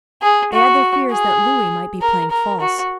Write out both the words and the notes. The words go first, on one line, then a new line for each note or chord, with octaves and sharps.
They had their fears that Lewis might be playing false.
G#4
F#4
G#4
A#4
A#4
F#4